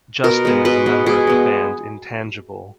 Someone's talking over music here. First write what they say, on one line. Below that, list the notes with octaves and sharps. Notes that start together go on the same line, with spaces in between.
Justin is a member of the band Intangible.
B2 A#4
G#3 B3
B2 B4
G#3 B3
B2 G#4
G#3 B3